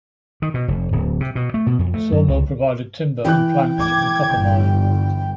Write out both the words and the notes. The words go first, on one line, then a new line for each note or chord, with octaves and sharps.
The sawmill provided timber and planks for the copper mine.
D#3
B2
F1
D1
C3
B2
A3
B2
F2
A3
F#2
C#2
E3 G5 F#6
D6 G#6
G1